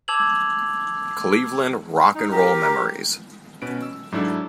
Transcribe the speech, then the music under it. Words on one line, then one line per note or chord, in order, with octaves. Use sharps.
"Cleveland Rock and Roll Memories".
A5 D6 E6 G#6 F7 F#7
D#4
G4 A#4 A#5
B2 C#4 B4 D7
E6
G#2 F#3 D4 E4 A4 E6